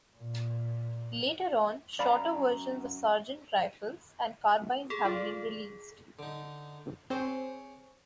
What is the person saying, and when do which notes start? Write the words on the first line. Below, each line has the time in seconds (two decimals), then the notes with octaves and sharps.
Later on, shorter versions of sergeant-rifles and carbines have been released.
0.17 A#2
1.99 F#2 D5 F5 A#5 B5
4.90 G#4 A4
5.05 F4 D5
6.19 D3 D#4
7.10 C4 G#4 C5 C#5 D6